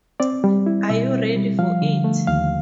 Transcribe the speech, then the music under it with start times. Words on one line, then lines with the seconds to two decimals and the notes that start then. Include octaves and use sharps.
Are you ready for it?
0.20 C4 D5
0.44 G3
0.66 E4
0.90 B2 E5
1.13 C4
1.36 G3
1.59 F3 F5
1.82 D3
2.04 A3
2.27 D#2 F5